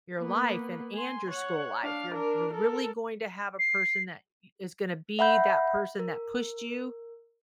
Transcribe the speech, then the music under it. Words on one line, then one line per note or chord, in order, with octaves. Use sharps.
your life and and your school life. You're you're really going to have a person that y is gonna be that person that pushed you
A#3 B3
G#5 C6
C#5 F#5
D4 F5
D4 A#4
A4 A#4
C7
E5 F#5 B5 G6
A#4